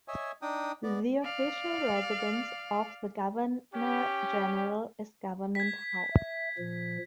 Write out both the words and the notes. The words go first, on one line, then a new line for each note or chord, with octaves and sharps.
The official residence of the Governor-General is Government House.
C#5 D#5 E5 G#5
D4 D#4 G5 D#6
B3 D5
D5 F5
C#4 G4
G#6 B6
E5
A#2 F3